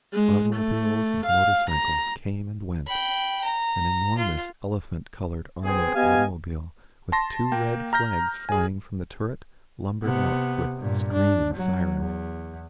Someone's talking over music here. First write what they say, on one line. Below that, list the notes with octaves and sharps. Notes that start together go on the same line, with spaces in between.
Automobiles and motorcycles came and went; an enormous elephant-coloured armoured automobile, with two red flags flying from the turret, lumbered out with screaming siren.
G#3
A3
F5
A#5
G5 B5
A#5
F4
B3 C4 G#4
B3 G4 D#5 F5 G#5
A5 C6 A#6
A#3 G5
A#5 F6 G6 A#6
G#4 G#5
C3 B3
G2 A#2
D4
F#3
E2